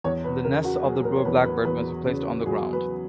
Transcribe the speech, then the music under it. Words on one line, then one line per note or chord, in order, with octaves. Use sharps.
The nests of the brewer blackbird must be placed on the ground.
E2 C#5
B4
C#3 A#4
F#4
F#3 G#4
A#4
C#5
E2 B4
B4
E2 B4
C#3
F#3 G#4
B4